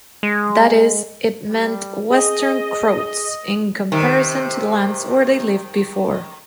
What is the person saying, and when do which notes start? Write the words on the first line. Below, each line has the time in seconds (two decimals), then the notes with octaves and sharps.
That is, it meant "Western Croats", in comparison to lands where they lived before.
0.23 G#3
1.48 G3
2.11 G#4 D#5
3.92 C3 D#3